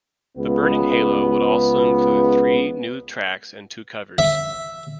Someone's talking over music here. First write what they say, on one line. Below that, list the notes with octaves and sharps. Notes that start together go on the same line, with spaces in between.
"The Burning Halo" would also include three new tracks and two covers.
C#2 B3
E5